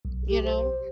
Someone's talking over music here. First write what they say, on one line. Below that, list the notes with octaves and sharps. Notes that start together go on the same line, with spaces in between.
you know?
B1
G4
C5